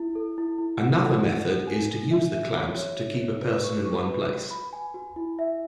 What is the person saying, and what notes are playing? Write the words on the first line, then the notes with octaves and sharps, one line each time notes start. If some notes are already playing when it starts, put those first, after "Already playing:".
Another method is to use the clamps to keep a person in one place.
Already playing: E4
A4
E4
E4
F#5
A4
A4
A4
G#5
A4
E5
E5
C#5
C#5
C#5
C#5
B4
C#6
C#6
B4
F#4
B5
G#5
F#4
E4
E5